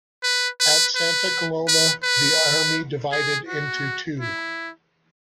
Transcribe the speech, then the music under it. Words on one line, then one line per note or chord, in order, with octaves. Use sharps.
At Santa Coloma, the army divided into two.
B4
B4
B4
B4
B4
G#4
F#4
E4